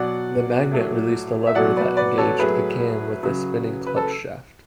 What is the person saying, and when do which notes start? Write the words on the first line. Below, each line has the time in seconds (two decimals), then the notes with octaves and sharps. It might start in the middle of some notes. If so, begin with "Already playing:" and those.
The magnet released a lever that engaged a cam with a spinning clutch shaft.
Already playing: B2 F#3 D5 F#5
0.71 A2 F#3
1.47 E5
1.55 B2 F#3 D5 F#5
1.77 B4 D5
1.97 B4 D5
2.18 A4 C#5
2.39 A2 F#3 G#4 B4
3.23 C#3 F#3
3.86 B4
3.96 A4